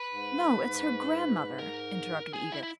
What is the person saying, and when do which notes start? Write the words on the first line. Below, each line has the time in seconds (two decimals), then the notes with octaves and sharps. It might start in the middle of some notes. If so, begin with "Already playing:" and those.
"No, it's her grandmother," interrupted Edith.
Already playing: B4
0.12 G#2
1.59 A#4
2.33 G#4
2.52 E4
2.63 E4